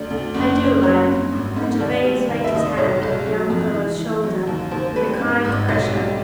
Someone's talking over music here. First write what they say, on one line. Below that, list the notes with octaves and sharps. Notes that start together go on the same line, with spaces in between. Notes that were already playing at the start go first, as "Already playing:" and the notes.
"I do like!" and Gervase laid his hand on the young fellow's shoulder with a kind pressure.
Already playing: D2 D5
D2
F#1
C#3
F#3 C#5
G2
G#1
G#2
D#2 D5
G3
D#2
E5
D#2 D#5
D5
B1 C#5
B1
F#3
F2
E3
E3
F#3
D#2
D#2 C5
G3 B4
G#2
G#1
B1
G3